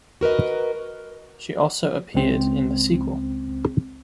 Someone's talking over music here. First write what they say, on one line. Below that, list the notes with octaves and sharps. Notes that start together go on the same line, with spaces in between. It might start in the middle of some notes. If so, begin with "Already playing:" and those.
She also appeared in the sequel.
F#4 A#4 B4 D#5
C#2 C4